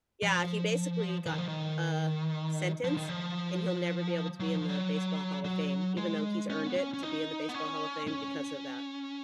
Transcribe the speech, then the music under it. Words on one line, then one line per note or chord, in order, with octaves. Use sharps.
Yeah. He basically got a sentence, and he'll never be able to be in the Baseball Hall of Fame even though he's earned it to be in the Baseball Hall of Fame because of that.
F3
D#3
F3
D#3
F3
D#3
F3
F#3
F3
F#3
F#3
G#3
C#4
B3
C#4
C#4
D#4
B3
C#4
C#4